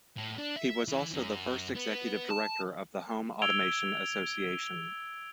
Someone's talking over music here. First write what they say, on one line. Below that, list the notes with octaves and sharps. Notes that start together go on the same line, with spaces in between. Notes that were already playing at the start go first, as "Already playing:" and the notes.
He was also the first executive director of the Home Automation Association.
A2
D4
E5
E3
F#2
B3
A5
E6 G#6 D7 F7 G7